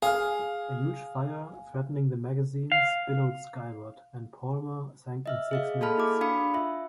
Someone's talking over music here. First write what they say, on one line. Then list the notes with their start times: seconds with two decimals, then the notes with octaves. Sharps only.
A huge fire, threatening the magazines, billowed skyward, and "Palmer" sank in six minutes.
0.02 G#4 F5 G#5 F6
2.72 F5
5.26 D#5 E5 F6
5.51 G#4 D#5 F5
5.81 A#3 G#4 A4 A5 B5 F6
5.98 E4 F#4 D6
6.21 D4 F5 B5 D#6 C#7
6.54 F4 E5